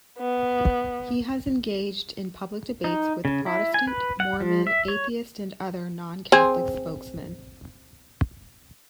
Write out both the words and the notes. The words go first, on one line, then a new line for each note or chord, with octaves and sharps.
He has engaged in public debates with Protestant, Mormon, atheist, and other non-Catholic spokesmen.
B3
D#4
C#3
E4
G#5
B4
F#5
F3
E5
C#5
C4 G#4